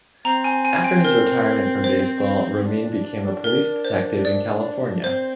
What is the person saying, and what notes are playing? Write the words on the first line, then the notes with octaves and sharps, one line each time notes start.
After his retirement from baseball, Romine became a police detective in California.
C4 A#5
G#5
G#5
G5
A#4
C5
D4
A#4
C5
D5
C4 C5